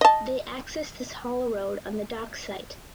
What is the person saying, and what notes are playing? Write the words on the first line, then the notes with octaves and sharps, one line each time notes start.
They access this haul road on the Docks site.
D#5 A5